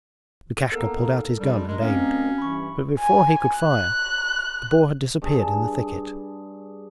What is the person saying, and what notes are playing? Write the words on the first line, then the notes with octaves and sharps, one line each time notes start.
Lukashka pulled out his gun and aimed, but before he could fire the boar had disappeared in the thicket.
A#3 B3 D#4 A4 A#4
G3 G#3 D4
D2 G#3 A#4 D#5
C4 C#4 F5
G2 E3 B5 C#6
G#5
F#6
G2 G#4 G#5 A5